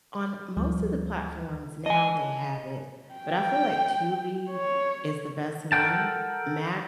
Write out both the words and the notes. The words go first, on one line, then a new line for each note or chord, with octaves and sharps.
on most of the platforms now, they have it, but I feel like Tubi is the best one. Max,
D2 F3 G3
D#5 G#5 A5
G5
C#5
A4 A#4 C#5 F#5 G5 A5